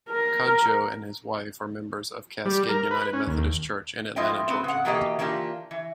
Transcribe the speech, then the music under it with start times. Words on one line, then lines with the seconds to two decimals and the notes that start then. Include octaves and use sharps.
Kodjoe and his wife are members of Cascade United Methodist Church in Atlanta, Georgia.
0.10 A#4
0.41 A#5
2.45 G3
2.69 A#4
2.91 B4
3.13 C#4
3.27 D#2
4.16 A2 F3 F4 D#5 E5 G5
4.48 B3 C4
4.64 C#3 F#5
4.85 B2 E3 A#3 G4 D#5
5.19 E3 A#3 D4 F4 G4
5.71 E3